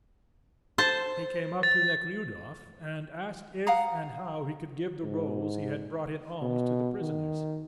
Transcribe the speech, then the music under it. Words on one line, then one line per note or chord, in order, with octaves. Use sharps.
He came up to Nekhludoff, and asked if and how he could give the rolls he had brought in alms to the prisoners.
C5 A5
A6
F5 F#5 A#5 D#6
G#2
B2
D#3